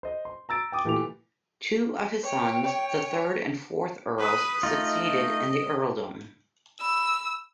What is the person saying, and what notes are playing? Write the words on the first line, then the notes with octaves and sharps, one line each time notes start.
Two of his sons, the third and fourth Earls, succeeded in the earldom.
C5 D#5
C6
A#5 E6 A6 D7
G5 D6 D#6
A#2 E3 A3 G4 D6 F7
C#5 G5
C#5
B4 D#6
A3 D#4 F4 D#5
B5 E6